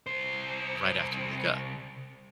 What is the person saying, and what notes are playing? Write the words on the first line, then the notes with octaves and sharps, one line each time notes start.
right after you wake up,
C2 C5